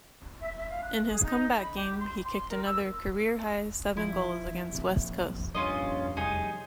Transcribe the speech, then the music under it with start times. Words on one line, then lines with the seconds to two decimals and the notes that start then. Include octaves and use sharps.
In his comeback game he kicked another career-high seven goals against West Coast.
0.40 E5
0.56 E5
0.69 F5
0.83 F#6
1.08 G#4
1.23 D#4
1.59 B5
1.76 G4
1.97 C6
2.24 C6
2.48 A#4
2.64 E6
3.97 F3 E4
4.73 A#1 C3
5.55 A#1 G2 C#4 F4 D#5
6.17 F1 G3 D#4 G#4